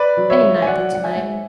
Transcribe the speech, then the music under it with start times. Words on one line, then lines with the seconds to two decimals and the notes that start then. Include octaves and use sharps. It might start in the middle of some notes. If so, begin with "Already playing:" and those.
Any night but to-night.
Already playing: B4 D5
0.17 F#3
0.30 C#5 E5
0.42 G#1
0.62 G#5
0.66 F#3 D5 F#5
0.91 G#1 F#5
1.03 E5 G#5
1.16 G#2